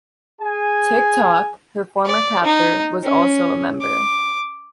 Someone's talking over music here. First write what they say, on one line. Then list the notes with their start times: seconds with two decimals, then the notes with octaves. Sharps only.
Tick-Tock, her former captor, was also a member.
0.40 G#4 G#5
2.05 D5
2.43 D#4
3.03 C#4
3.81 D6